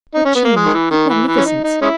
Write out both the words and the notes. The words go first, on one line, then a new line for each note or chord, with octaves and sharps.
What change--what magnificence!
D#4
C#4
B3
A#3
G#3
D#3
E3
D#3
E3
E3
C#4
D#4
D#4
G#3 C#4 E4